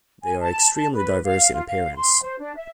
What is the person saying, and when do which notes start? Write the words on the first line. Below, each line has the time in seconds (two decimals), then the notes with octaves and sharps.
They are extremely diverse in appearance.
0.22 G#5
0.39 A5
0.75 A5
0.93 B4
1.23 F5
1.52 F4
1.67 F5
1.94 C6
2.22 C5
2.38 D4
2.55 E5